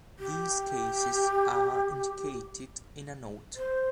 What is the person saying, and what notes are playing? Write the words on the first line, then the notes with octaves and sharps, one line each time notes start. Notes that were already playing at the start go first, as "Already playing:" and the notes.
These cases are indicated in a note.
G4
C5